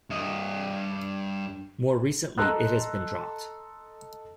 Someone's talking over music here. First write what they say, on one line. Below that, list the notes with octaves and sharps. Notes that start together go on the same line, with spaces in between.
More recently it has been dropped.
G2 D#5
A4 D#5 A#5 C6 E6 F#6